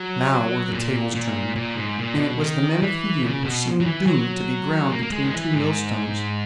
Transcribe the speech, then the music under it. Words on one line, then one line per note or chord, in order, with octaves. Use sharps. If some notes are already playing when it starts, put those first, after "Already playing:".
Now were the tables turned, and it was the men of Helium who seemed doomed to be ground between two millstones.
Already playing: F#3
A#2
A#2
A#2
G#2
A#2
B2
D#3
E3
C#3
B2
F#3
E3
F#3
A#3
A#3
G#3
D#3
E3
G#2